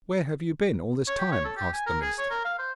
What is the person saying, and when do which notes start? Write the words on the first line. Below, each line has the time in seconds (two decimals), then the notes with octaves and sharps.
'Where have you been all this time?' asked the minister.
1.08 C#5
1.19 G4
1.32 C#5
1.45 A4
1.57 G4
1.73 G#5
1.86 A#4
2.02 G#4
2.18 C#5
2.31 A#4
2.45 F5
2.59 C5